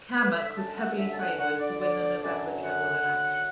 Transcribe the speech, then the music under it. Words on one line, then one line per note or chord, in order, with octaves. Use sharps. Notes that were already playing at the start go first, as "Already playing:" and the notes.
Cammack was heavily favored to win the November general election.
D3 B4
E5
F#2 A5
F#5
D3 E5
A5
F#5
D3 F#5
D5
D3 D5
D5
F#2 D5
D3 F#5
F#2